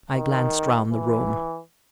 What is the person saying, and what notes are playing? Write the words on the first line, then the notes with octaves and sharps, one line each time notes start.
I glanced round the room.
D#3
E3